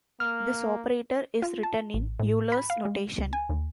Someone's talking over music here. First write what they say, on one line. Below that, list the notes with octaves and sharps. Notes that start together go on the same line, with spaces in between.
This operator is written in Euler's notation.
A#3 F6
F4
A5
A1
A2
B5
F5
G#3
C#2
G#5
D#2